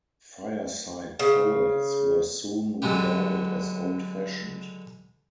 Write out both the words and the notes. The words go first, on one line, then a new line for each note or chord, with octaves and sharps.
Fireside Poets were soon regarded as old-fashioned.
C#3
D3 F#3 G#3 B3 G4